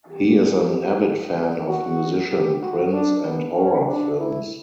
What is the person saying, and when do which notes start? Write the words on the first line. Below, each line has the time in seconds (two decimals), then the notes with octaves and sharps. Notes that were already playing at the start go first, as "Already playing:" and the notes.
He is an avid fan of musician Prince and horror films.
0.12 G4
1.68 F#4
2.30 G4
2.62 F#4
2.93 D4
3.24 B3
3.55 C#4
3.87 D4
4.18 E4